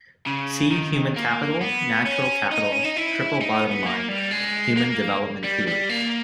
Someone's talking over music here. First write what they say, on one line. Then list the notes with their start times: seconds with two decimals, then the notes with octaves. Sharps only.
See human capital, natural capital, triple bottom line, human development theory.
0.27 C#3
0.71 D#3
1.16 A#3
1.61 B3
2.06 C#4
2.51 D#4
2.72 C#4
2.84 D#4
2.97 E4
3.41 D#4
3.64 B3
3.86 A#3
4.09 G3
4.32 G#3
4.77 A#3
5.44 G3
5.67 G3
5.89 A#3